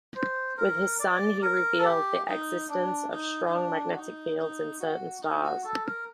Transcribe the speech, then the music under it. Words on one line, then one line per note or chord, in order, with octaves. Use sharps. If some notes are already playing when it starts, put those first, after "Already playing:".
With his son he revealed the existence of strong magnetic fields in certain stars.
C5
A#4
D5
A#4
A4
G4
D#4
D4
D#4
D#4
D4
F#4
D#4
D#4
F#4
D#4
F#4
A4
A#4